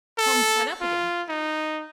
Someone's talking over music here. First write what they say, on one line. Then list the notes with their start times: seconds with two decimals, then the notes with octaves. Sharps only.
Holmes sat up again.
0.18 A4
0.81 F4
1.29 D#4